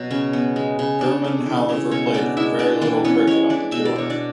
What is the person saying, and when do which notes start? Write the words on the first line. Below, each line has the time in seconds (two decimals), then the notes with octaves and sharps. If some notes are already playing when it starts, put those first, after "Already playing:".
Germon however played very little cricket on the tour.
Already playing: B2 F#3 B3
0.10 C#3 C#4
0.33 B3
0.56 G#3
0.79 C#3
1.01 C#3 D4
1.24 A3
1.46 E3
1.69 C#3
1.91 B2 C#4 C#5
2.14 B3 D4 D5
2.37 G#3 E4 E5
2.59 B2 D4 D5
2.82 E3 D4 D5
3.04 B3 C#4 C#5
3.27 G#3 C#4 C#5
3.50 E3 D4 D5
3.72 B2 E5
3.85 D5
3.96 B2 C#5
4.10 D4 D5